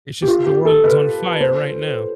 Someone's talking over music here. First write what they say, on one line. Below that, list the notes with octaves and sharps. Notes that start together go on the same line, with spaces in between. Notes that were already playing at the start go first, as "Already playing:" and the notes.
It's just that the world's on fire right now.
G4
F4
G4
A4
B4
C5